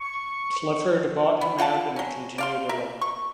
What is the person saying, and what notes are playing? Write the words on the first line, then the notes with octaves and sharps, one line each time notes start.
Clifford bought him out and continued alone.
C#6
B3
F4 F#5 G5 A5
F#3 C#4
D5 F5 C6
A#4 E5
C#6